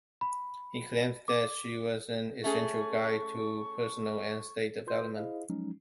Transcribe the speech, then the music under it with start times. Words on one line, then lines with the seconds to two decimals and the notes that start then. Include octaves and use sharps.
He claimed that she was an essential guide to personal and state development.
0.21 B5
1.28 D6
2.44 A3 C#4 G#4 C#6
4.87 F4 B4 C6 G6
5.17 E4 G#4 C5 D#5 F5
5.49 F3 F#3 G#3 C#4 D#4